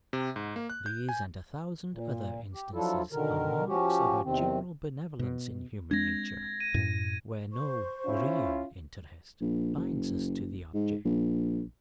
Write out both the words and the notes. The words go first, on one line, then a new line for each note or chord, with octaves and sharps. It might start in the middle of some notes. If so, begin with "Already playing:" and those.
These and a thousand other instances are marks of a general benevolence in human nature, where no REAL interest binds us to the object.
C3
G#2
A#3
F#6
G6
G#5
A#2
G4
F3 F#3 D4 E4 F4 A4
B2 D3 D#3 A#4
F3 C#4 F#4 G4
E2 C3 D#3 C4
B2
G#3 C4 D4 G#6 A#6
D#7
F#2 A2
C5 C#6
C#4 E4 F4
A#1
F#1
G#2
A#1